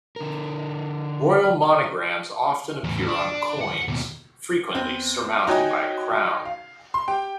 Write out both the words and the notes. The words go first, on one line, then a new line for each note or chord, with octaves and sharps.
Royal monograms often appear on coins, frequently surmounted by a crown.
D3 A#4
E2 A2
D4
F#5
D#2 B2
E2 C4
D#4 E4 F#4 C#5 G5 G#5
F5
C6
G4 G5